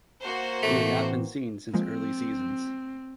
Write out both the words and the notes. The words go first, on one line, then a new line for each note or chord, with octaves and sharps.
He had not been seen since early seasons.
A#3 F#4 C5
A2 E3 A3 C4
F3 G#3 A#3 C4